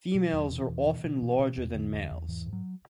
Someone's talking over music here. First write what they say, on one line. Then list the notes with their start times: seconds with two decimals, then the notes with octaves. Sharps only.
Females are often larger than males.
0.15 B2 F#3
0.33 E2
0.51 B2 E3
0.69 E2
0.86 B2
1.04 B2
1.22 B2
1.39 B2
1.57 E2
1.75 D3
1.93 E2
2.11 E2
2.28 G#2 E3
2.46 G#2
2.53 F#3